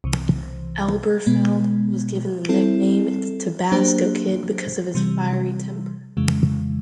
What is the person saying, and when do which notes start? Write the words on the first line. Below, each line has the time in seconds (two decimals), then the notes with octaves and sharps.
Elberfeld was given the nickname "The Tabasco Kid" because of his fiery temper.
0.04 C2 C3 E3
1.26 B2 G#3 B3
2.49 G3 C4 E4 A4
3.72 F#3 A#3 D4 G4 C5
4.95 C3 E3 G3
6.17 F2 C#3 E3 G#3